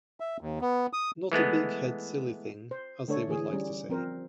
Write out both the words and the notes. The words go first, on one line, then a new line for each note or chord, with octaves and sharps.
Not a big-head silly thing, as they would like to say.
E5
D#2
B3
D#6
E3 G#3 A3 B3
C5
D3 A3 D4 A4 C#5
D3 E3 G#4
G3 C#4
F3 C4 A#4 C5